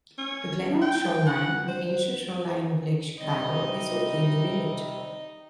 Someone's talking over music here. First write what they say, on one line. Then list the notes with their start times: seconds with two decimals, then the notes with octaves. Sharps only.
The Glenwood Shoreline, an ancient shoreline of Lake Chicago, is within the village.
0.18 C#4
0.82 G5
1.27 F#5
1.68 C5
3.19 C3 G3 C4 D#4 D#5